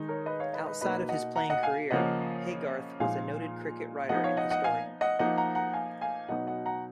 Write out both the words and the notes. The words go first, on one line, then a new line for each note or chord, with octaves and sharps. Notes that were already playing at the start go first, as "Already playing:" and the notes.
Outside of his playing career, Haygarth was a noted cricket writer and historian.
Already playing: D#3 G#3 D#4
A#4 C#5
B4 D#5
C#5 F5
B4 D#5
B4 D#5
B2 A#3 D#4 B4 D#5
D#5 F#5
F#5 A#5
D#5 F#5
F5 G#5
C#3 F3 A#3 D#5 F#5
A#2 F3 G#3 D#4 F5 G#5
F3 B3 D#4 D#5 F#5
C#5 F5
D#5 F#5
D#5 F#5
F5 G#5
D#5 F#5
F3 A#3 D#4 D#5 F#5
F#5 A#5
F#5 A#5
F5 G#5
F5 G#5
B2 F#3 B3 D#4 D#5 F#5
D#5 F#5
F#5 A#5